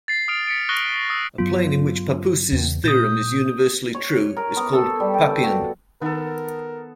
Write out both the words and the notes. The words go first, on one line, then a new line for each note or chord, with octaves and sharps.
A plane in which Pappus's theorem is universally true is called "Pappian".
A6 C7
D#6 F6 D7 F7
B6 C#7 D7
C#6 D#6 F#6 A#6 G7
D#6 E6
G2 F#3 B3 F4
E2 C#3
A#2 D#6 G6
C#5
A#4
B3
A4
G3
G5
F#4
D#3 B3 D#4 A4 A#4